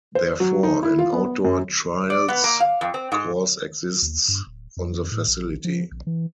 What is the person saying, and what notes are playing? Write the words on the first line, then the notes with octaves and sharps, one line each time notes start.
Therefore, an outdoor trials course exists on the facility.
C5
F#3
D#4
E4
F4
B3
F#2
D5
B3
A#3
F5
F2
C4
G#2
D#2
G2
D1
F2
A2
A#1
F3
A#1
E3